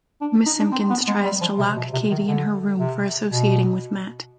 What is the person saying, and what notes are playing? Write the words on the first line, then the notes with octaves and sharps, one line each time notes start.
Miss Simpkins tries to lock Kate in her room for associating with Matt.
D4
D#4
D4
C4
B3
G#3
G3
F3
C3
B2
C3
D#3
D3
C3
B2